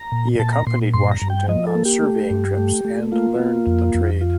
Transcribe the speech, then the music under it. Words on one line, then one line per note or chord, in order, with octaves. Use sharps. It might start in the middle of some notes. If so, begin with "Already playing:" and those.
He accompanied Washington on surveying trips and learned the trade.
Already playing: A#5
A#2
A#2 A5
A#5
A#2 C6
G2 C6
A#5
G2
G5
F3 D#5
A4
A#3
G4
A3
G2
A3
A3
A#3 F4
A#3
F2
F2
F4